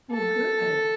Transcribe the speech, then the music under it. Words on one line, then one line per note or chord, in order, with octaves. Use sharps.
Oh, good.
A4